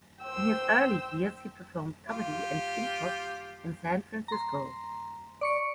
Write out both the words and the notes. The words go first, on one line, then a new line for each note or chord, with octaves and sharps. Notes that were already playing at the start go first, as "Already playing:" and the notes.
In his early years, he performed comedy and improv in San Francisco.
C5 G5 E6
F4 G4
A#5 C6
D5 C#6 C#7